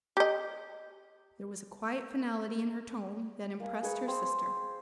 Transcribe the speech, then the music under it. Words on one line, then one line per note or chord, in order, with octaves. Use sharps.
There was a quiet finality in her tone that impressed her sister.
G4 D#5
A#3 F5 G#5 D#6
G#4 B4 G#5 C#6
C4 C5